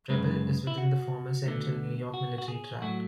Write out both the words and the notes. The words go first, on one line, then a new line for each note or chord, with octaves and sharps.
Preble is within the former Central New York Military Tract.
F#2 C#3 G#3 B4
E4
F#4
D2 D3 A3
F#4
F#4
G#4
A2 F#3 A3 F#4